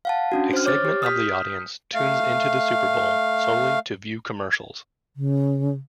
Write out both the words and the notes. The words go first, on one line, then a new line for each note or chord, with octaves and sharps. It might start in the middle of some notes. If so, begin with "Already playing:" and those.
A segment of the audience tunes into the Super Bowl solely to view commercials.
F5 F#5 A5
C#4 D4 F#4
C5 F6
C#5 D6 F6 A6
G4
D#6 F6 G6 B6
A3 F5
C#3